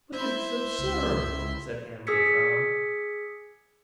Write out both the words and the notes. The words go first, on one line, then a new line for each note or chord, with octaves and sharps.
"But this is absurd!" said Ann with a frown.
E4 C5 E5 C6
C#2
G#4 D#6 E6 G#6 B6 C#7